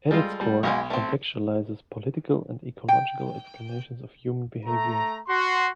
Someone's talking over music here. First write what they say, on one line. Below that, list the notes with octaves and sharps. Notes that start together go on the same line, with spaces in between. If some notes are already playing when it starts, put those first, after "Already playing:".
At its core, it contextualizes political and ecological explanations of human behavior.
G3 G#3 F4 A4
G3
B1 G#3 A#3 F#4
A3 C4
G5
A3 A#5
F#4 C6